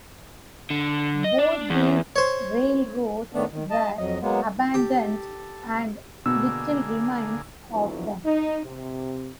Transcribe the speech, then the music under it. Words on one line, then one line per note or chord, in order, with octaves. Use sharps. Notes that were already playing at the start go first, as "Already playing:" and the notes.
Both these railroads were abandoned and little remains of them.
D3
D#5
D4
E2
C5 C#5
A2 D#3 A3 B3 D4
D#3
D#5 A5
F2 F#3 D#5
F#3 G#3 A#3 B3
G4 A4
B2 D3 A#3 G#4 E6
F2 D3 F#3 B3 E4
D#4
C3